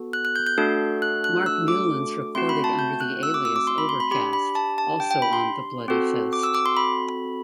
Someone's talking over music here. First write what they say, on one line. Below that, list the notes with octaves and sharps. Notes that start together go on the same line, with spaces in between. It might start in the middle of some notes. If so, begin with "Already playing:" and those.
Mark Newlands recorded under the alias Overcast, also on the Bloody Fist.
Already playing: B3 F#4 A4
F#6
F#6
G6
G6
A3 D4 F#4 A4
F#6
F#6
E6
D6
A3 C4 F#4 C6
B5
A5
G6
F#6
E6
D6
E6
D6
C6
B5
C6
B5
D4 G4 B5
B5
A5
A5
G5
G5
B5
C6
C4 F#4 A4
D6
E6
D6
C6
B5